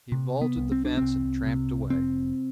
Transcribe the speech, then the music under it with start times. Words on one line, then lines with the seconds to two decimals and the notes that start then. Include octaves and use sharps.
He vaulted the fence and tramped away.
0.12 C3
0.42 B3
0.57 C2
0.72 C4
0.85 D4
0.97 C2 C4
1.46 C3
1.90 F1 C4